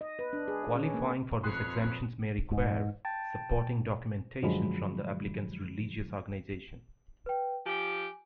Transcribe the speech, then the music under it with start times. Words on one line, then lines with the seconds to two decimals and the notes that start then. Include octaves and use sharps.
Qualifying for this exemption may require supporting documentation from the applicant's religious organization.
0.01 D#5
0.19 B4
0.33 D4
0.48 G#4
0.76 C#4
0.94 A#3
1.43 F2 B4 C#5 C6 D#6 F#6 C7
2.51 G#2
3.05 G5 A5 A6
4.42 F#2 D3 F3 F#3 G#3 B5
7.26 B4 G5
7.66 F3 G4 G#5